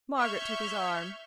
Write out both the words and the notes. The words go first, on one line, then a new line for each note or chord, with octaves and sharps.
Margaret took his arm.
E5 C#6 F6 G6 G#6